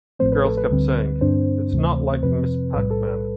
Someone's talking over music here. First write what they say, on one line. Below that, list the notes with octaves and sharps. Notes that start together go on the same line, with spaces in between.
The girls kept saying, "It's not like Ms. Pac-Man".
A1 A2 F3 A3 C4 C5
B4
A4
B4
D2 D3 G3 C4
G2 D3 G3 C4 D4 C5
D2 C3 E3 A3
F2 C3 F3 C4 B4
B1 A2 G3 B4
A4
B4